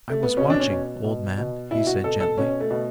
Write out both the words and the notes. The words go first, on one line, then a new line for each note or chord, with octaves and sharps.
"I was watching, old man," he said gently.
A3
B3
B2 C#4
D4
C#4
B2
B2
B2
B2 E4
F#4
B2 A4
A4
B2 C#4
A3
B2